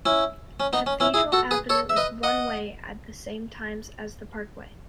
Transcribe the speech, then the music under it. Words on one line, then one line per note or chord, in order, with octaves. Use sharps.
Cathedral Avenue is one-way at the same times as the parkway.
C#4 E4
C#4
B3 D#4
C#4
C#4 E4
E4 G#4
F#4 A4
G#4 B4
A4 C#5
E5
B4 D#5
D#5 F#5